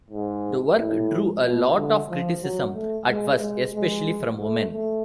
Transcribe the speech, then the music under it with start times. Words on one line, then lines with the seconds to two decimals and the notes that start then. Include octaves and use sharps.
The work drew a lot of criticism at first, especially from women.
0.11 G#2
0.76 A2
1.43 B2
1.76 D3
2.10 F3
2.43 F#3
2.75 A3
3.09 G#3
3.41 G#3
3.75 G#3
4.41 A3
4.73 A3